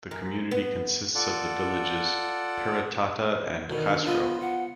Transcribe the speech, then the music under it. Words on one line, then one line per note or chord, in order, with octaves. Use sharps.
The community consists of the villages Peratata and Kastro.
F#2
B3
F4 A4 D5 F#5
D2 B2 D#3
D4
F3 B3 F4 D#5
F#5